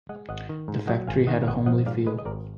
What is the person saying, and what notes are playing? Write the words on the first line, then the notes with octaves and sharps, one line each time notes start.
The factory had a homely feel.
G#3 D#5 F#5
G#1 D#5 F#5
D#3
G#2
F#3 D#5 F#5
G#1 F5 G#5
D#3 D#5 F#5
F5
G#1 D#5 F#5
F3 D#5 F#5
G#2 D5 F5
G#3 B4 D#5
D#5
G#1 A#4 D5